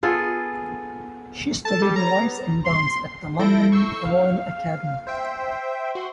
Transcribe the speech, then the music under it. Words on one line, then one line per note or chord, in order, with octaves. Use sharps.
She studied voice and dance at the London Royal Academy.
B3 F4 G#4 A4
A4 A5
G3
C#5 A#5
B3
C6
F3 E4 A4 G6 A#6 D7
C#6 E6 G6 C7
F5
C5 E5 G5
F#4 C6